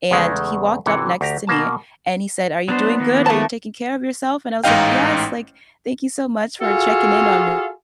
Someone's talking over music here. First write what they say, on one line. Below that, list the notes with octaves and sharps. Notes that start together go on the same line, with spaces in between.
and he walked up next to me and he said, "Are you doing good? Are you taking care of yourself?" And I was like, "Yes," like, "thank you so much for checking in on
E2 C#3 G#3 A3
G#1 C3 E3 F#5
D2 G4 A#5
B2 A#3 A5
F#3 B3 D4 C5
D#3 F3 A#3
A3 A5
A1 G#2 D#4 D#5 F5 G5
F4 F#4 G#4 A4 F5